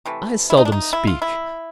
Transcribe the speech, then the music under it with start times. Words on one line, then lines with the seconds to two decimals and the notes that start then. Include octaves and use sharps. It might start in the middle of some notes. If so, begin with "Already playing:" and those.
I seldom speak.
0.05 C3 E3 A3
0.50 E4
0.57 D#4
0.65 D4
0.72 D#4
0.93 E4
1.07 F4
1.22 E4